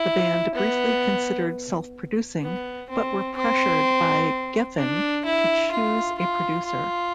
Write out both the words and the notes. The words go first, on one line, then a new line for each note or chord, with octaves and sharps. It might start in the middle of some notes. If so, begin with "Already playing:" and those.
The band briefly considered self-producing, but were pressured by Geffen to choose a producer.
Already playing: E4
B3
B3
C4
C4
D4
E4
F4
F4
F4